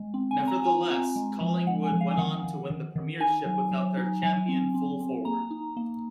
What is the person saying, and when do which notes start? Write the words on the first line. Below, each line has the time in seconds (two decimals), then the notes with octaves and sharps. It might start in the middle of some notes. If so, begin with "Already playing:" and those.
Nevertheless, Collingwood went on to win the premiership without their champion full forward.
Already playing: G#3
0.14 C4
0.31 G#5
0.38 C4
0.48 A#5
0.64 F4 G#5
0.90 C4
1.16 G#3
1.41 F3
1.67 G#3 F#5
1.84 G#5
1.92 F3
2.01 F5
2.11 G#5
2.18 D#3 F#5
2.44 D#3
2.70 D#3
2.96 D#3
3.20 D#4 G#5
3.46 F#3
3.71 F#3
3.97 D#4
4.23 F#3 G#5
4.48 C4
4.74 C4
5.00 C4
5.25 A#3 A#5
5.51 D#4
5.77 A#3